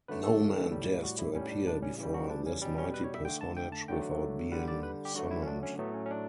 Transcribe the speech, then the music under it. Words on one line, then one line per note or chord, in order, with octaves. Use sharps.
No man dares to appear before this mighty personage without being summoned.
D3 F#3 A3 B4
A4
A2 G3
F#4
E4
A2 G3 C#4
D4
D4
C#4
C#3 E3 G3
F#4
D4
C#4
B2 G3 C#4
C#4
B4
C#5
E5
D3 A3 G5
A5
G5
A5
D3 F#3 A3 G5
D3 G3 F#5
D5
B4
G4
D3 F#3 A3 F#4
E4
C#4
D4
C#4
A2 F#3 A3 B3
C#4
C#4
D4